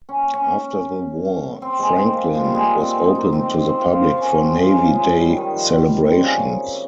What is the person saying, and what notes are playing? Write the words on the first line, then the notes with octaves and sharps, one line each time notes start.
After the war, "Franklin" was opened to the public for Navy Day celebrations.
C#4
C#4
C4
G#3
C4
A#3
F3
G3
G#3
A#3
C4
D#4
D#4
C4
C4
C4
F4
F4
C#4
C4
G#3
F3
C#3
G#3
G3
D#3
F3
D#3
G3
C3
C#3